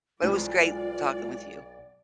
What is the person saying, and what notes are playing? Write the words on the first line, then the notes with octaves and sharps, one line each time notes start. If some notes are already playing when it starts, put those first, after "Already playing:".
but it was great talking with you.
B1 E3 G#3 C4 F4 D5